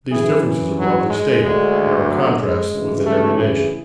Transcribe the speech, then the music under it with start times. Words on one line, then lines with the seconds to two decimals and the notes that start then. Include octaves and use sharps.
These differences are broadly stated; there are contrasts within every nation.
0.10 F#2 E3 E4 G#4
0.76 F#3
1.09 G#3
1.41 D2 D3 G#3
2.07 F#3
2.39 G#3
2.72 D2 C#3 E3
3.04 F#3 A3
3.37 E4 G#4